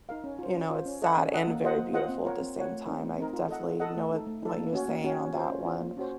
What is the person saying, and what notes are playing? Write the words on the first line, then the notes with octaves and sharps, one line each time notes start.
you know, it's sad and very beautiful at the same time. I definitely know what what you're saying on that one,
D#4 A#4 F5
C#4
F4 C5
C#4
F4 C5
C#4
A4 D#5 F#5
C#4
A4 D#5 F#5
A#3
F4 C5 D#5 F#5
A#3
F4 C5 D#5 F#5
C4
F4 A#4 C#5 F#5
C4
F4 A#4 C#5 F#5
A3
C4 D#4 A#4
A3
C4 D#4 A#4
F4
A4 D#5 F#5
F4
A4 D#5 F#5
A3
D#4 A4
A3
D#4 A4
A#3
C#4 F#4
A#3
C#4 F#4
C#4
F4 C5
C#4
F4 C5
A#3
C#4 F#4 C5